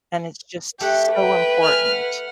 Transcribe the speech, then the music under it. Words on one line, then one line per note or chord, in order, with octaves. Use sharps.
and it's just so important.
A3 G4 F#5
B4 G5
G#5 F6
F#5